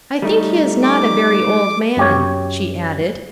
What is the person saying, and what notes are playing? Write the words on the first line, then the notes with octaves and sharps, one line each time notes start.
"I think he is not a very old man," she added.
G3 A3 D#4
D6
F#2 G4 C#5